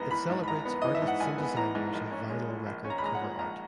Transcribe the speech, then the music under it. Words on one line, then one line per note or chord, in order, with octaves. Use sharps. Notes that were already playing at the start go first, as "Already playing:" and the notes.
It celebrates artists and designers of vinyl record cover art.
Already playing: A#1 G#2 E3 B3 A#5
E3 B5
G#2
B5
A#1 A#5
B3
E3 D#5
E5
G#2
F#5
A#1 G#5
B3
E3 A#5
G#2
A#1
C#4
G#3
A#2
A#1
C#4
A#5
B5
G#3 A#5
F#5
A#2
A#1 A#5